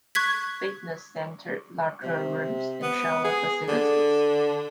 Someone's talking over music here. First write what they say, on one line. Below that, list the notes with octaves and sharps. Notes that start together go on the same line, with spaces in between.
Fitness Center, locker rooms, and shower facilities.
C#6 F#6 G#6 B6
C3
B3
G#4
D3